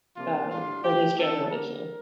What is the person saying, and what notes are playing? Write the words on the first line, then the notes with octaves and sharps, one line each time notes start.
um, for this generation.
C3 F3 A#3 D4 F4
A2 G3 D4 F4
A#2 F3 A3 G4
E3 A3 C4 A4
D3 G3 A#3 A#4